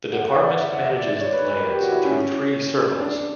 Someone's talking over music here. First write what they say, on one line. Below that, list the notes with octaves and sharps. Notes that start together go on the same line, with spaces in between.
The department manages the lands through three circles.
F#5
F#5
D5
F#5
E5
F#5
E5
D5
D5
C#5
B4
B4
A#4
G4
F#4
E4
C#4
D4